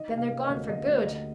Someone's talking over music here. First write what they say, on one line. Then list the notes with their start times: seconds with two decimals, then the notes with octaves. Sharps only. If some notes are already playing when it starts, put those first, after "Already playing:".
"Then they are gone for good."
Already playing: D#3 D#5
0.11 C3
0.17 F5
0.30 A#3
0.44 D#5
0.50 D2
0.69 D2 D#5
0.88 D2
1.07 D2 D#5